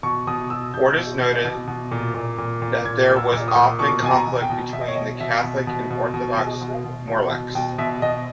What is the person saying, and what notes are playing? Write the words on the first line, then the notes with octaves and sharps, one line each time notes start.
Fortis noted that there was often conflict between the Catholic and Orthodox Morlachs.
B2 C#6
B2 D#6
B2 E6
B2 G6
B2
B2
B2
B2
A#2
A#2
A#2
A#2
A#2 G#6
A#2
E6
A#2
D#6
A#2
B2 C#6
B2 G#5
A#5
B2
G5
B2
B2 E5
D#5
C#5
B2 D#5
B2 E5
B2
B2
B2
B2
B2
B2
B2
B2
B2
B2 G5
B2 E5
B2 D#5